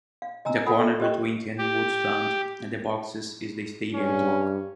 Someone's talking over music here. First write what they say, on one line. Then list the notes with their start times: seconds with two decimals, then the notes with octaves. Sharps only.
In the corner between the Kenilworth Stand and the boxes is the stadium clock.
0.22 F5
0.45 D#5 G#5 A#5 E6
0.66 F4 A4 F#5 G#5 B5 D#6
0.80 A4 E5
1.00 G4 C5 D#5 G5 C#6
1.58 G4
3.94 G2 C#4